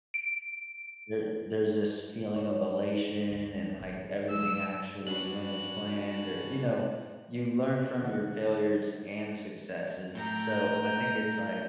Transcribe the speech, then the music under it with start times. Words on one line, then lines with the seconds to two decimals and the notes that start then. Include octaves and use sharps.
there there's this feeling of elation and, like, everything actually went as planned or you know, you learn from your failures and successes. So, I think it's, like,
0.14 D7
2.36 C#5
3.31 D2
3.80 A1
4.30 F#3 G#3 E6
5.07 C#4 D4 F#4 B4 F#7
8.03 D3 F#5
10.15 A2 G5 A#5